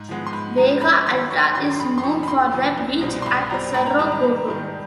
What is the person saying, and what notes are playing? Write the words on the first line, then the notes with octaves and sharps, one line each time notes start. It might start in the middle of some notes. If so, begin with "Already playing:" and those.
Vega Alta is known for the beach at Cerro Gordo.
Already playing: G#2
F3 G#3 B3
C6
G#2 B5
F3 G#3 B3 A#5
F#2 B5
D#3 F#3 C6
F#2 C#6
D#3 F#3 C6
C6
F2 B5
C6
C3 F3 C#6
B5
F2 C6
C3 F3
C2
B2 G3 C4
C6
C2 B5
B2 G3 C4 A#5
G#2 B5
A#5
D#3 G3 A5
A#5
G#2
D#3 G3